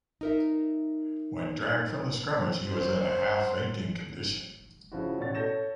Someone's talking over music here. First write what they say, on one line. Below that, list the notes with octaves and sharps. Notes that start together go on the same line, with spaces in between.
When dragged from the scrummage he was in a half-fainting condition.
D#4 A#4 E5
F#3 C5 C6
C#3 F3 E4 F#4
A1 B2 C#4 C#5 A6
A4 C#5 G6 A#6 E7